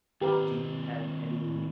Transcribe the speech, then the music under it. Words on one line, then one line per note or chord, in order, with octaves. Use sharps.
Do you have any
D#2 C4 G4 A#4 B4